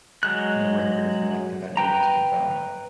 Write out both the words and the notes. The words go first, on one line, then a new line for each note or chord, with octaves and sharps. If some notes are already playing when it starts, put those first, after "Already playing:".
No record of him after that year has been found.
F#3 G#3 F#6
B4 G5 A#5